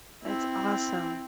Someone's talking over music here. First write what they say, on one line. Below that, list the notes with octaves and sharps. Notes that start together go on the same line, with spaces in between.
That's awesome.
C4 E4